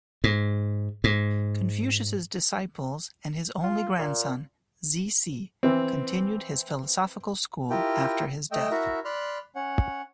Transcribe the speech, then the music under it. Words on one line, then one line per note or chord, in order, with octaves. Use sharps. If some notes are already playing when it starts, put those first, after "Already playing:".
Confucius's disciples and his only grandson, Zisi, continued his philosophical school after his death.
G#2
G#2
F4
A#2
E3 C4
E4 F4 G4 A#4 G5
A3 D#5 G5 E6
E4 F#4 A#4 E5
D5 B5 C6 F6 F#6
C#4 C#5 F#5